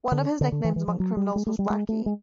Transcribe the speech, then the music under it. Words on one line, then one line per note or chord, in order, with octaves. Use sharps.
One of his nicknames among criminals was Blacky.
D3
D3
D3
E3
E3
F3
F#3
G3
G#3
A3
G3
G#3
A3
G#3